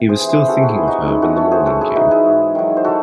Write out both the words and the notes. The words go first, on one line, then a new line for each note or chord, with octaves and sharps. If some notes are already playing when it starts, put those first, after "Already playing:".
He was still thinking of her when the morning came.
Already playing: C3
G#4 C5
E3
G#4 C5
C3 F#4 A4
F#4
E4 G#4
E3
D#4 F#4
F#2 E4 G#4
F#4 A4
E3 A4 C#5
G#4 C5
F#2 F#4 A4
E4 G#4
E3 D#4 F#4
E4 G#4
G#2
D#3 F#3
C5
F#4 A4